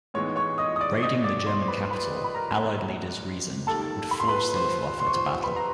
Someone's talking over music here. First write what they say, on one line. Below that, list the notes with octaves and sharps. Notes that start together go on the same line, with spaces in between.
Raiding the German capital, Allied leaders reasoned, would force the Luftwaffe to battle.
A2 E3 G#3 B3 D#4 C#5 C#6
C#5 C#6
D#5 D#6
D#6
D5 D6
D#5 D#6
D5 D6
C5 C6
B4 B5
B4 B5
B5
A#4 A#5
D#3 G3 A#3 A4 A5
B5
C6
B4 B5
C5 C6
C6
C#6
C5 C6
B4 B5
A#5